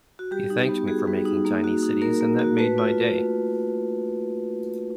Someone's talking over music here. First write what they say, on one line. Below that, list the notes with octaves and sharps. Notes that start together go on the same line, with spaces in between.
He thanked me for making Tiny Cities, and that made my day!
F#4
G3 G4
D#4
B3
F#4 G#4
G3
D#4
A#3
F#4
D#4
A#3 A#4
A#3
F#4
A3 B4
F4